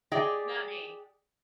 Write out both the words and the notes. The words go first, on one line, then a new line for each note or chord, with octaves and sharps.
Not me.
G4 G#4 D5 D#5 G5